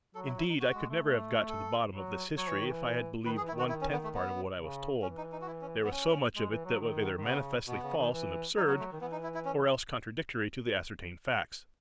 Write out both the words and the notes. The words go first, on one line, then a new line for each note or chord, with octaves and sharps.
Indeed I could never have got to the bottom of this history if I had believed one tenth part of what I was told, there was so much of it that was either manifestly false and absurd, or else contradictory to the ascertained facts.
F#3 A4
E4
E4
D#4
F#4
G#3
A3
A3
A4
F#3
F#3 C#5
E3
D#3
E3
D#3 B4
E3 G#4
E4
D#3
F#4
E4
C#4
B3
A3
B3
C#3
E3 C#4
D#4
D#4
F#4
E4
C#4
B3
C#4
G#3
E3
F#3
D#3
B3
D#3
C#3 B3
B2 B3
C#3
D#3
E3
F#3 D#4
B3
A3
D#3
E3 B3
D#4
E4
E4
C#4